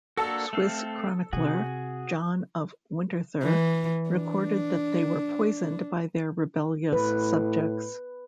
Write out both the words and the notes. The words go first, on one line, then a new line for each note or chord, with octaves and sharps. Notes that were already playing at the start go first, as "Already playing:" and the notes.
Swiss chronicler John of Winterthur recorded that they were poisoned by their rebellious subjects.
A#3 D4 F#4 A4 A5 E6
A3 C4 F5
C3 F#4 G#4
E3
D4
A2 B4